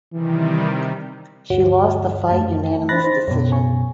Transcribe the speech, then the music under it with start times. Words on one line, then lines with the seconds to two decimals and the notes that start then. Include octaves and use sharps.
She lost the fight unanimous decision.
0.13 C3 D#3 E3 G3
1.50 D2 G2 F#4 C#5
2.29 F#2 A3 A5
2.89 D4 C5 B5 F#6 A6 A#6
3.04 D#4 C5
3.28 F#2 B2 C#5
3.52 G#5 C#6